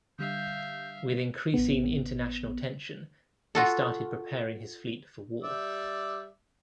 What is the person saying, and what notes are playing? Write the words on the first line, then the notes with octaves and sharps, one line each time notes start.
With increasing international tension he started preparing his fleet for war.
D3 G3 E5 F5 G6
A1 B3
F4 F#4 A4
G3 D5 E5